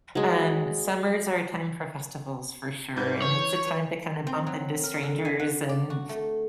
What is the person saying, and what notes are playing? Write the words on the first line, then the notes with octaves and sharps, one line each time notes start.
And summers are a time for festivals for sure, and it's a time to kinda bump into strangers. And
F#3 G#3
G#2 B4 G6
E3 C#5
B4
C4
F#3
A#4
D3
G#5
F#5
D5
F#4
A3